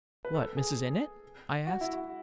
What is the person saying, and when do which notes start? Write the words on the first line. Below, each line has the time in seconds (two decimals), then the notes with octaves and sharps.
"What, Mrs. Innitt?" I asked.
0.25 B4
0.34 A4
0.57 G#4
1.67 F#4
1.81 E4
1.93 F#4